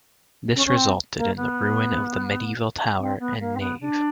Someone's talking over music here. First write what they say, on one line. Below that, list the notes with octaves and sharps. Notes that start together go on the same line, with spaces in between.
This resulted in the ruin of the medieval tower and nave.
C#4
C#4
C4
A#3
B3
C4
B3
A#3
C4
B3
D4